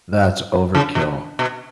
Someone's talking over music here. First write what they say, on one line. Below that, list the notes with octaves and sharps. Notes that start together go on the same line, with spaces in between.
That's overkill.
C#3
B2
B2